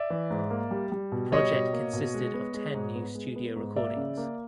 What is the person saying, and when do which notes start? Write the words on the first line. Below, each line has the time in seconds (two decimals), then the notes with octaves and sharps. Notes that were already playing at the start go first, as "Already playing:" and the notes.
The project consisted of ten new studio recordings.
Already playing: D5 E5
0.10 E3
0.31 G#2
0.50 A#3
0.71 G3
0.92 G3
1.12 B2
1.32 G3 C#5 D#5
1.52 B2
1.73 A#3
1.93 B2
2.14 G#3
2.34 B3
2.54 G#3
2.74 G#2
2.95 B3
3.15 G#3
3.36 B3
3.56 G#2
3.76 A#3 D5 E5
3.97 C#3
4.17 A#3